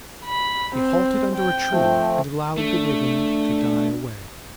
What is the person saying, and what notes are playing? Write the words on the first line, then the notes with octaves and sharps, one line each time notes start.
He halted under a tree and allowed the rhythm to die away.
B5
C4
G5
F3 A3 C4
A3 D4